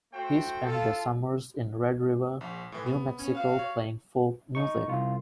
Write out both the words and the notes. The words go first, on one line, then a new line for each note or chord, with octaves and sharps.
He spent the summers in Red River, New Mexico playing folk music.
A3 F#4 C5 G5
F4 A4
A#1
A2 E3
B3
C#4
F#4 F5
C#5
D#4 C#6
C2 F4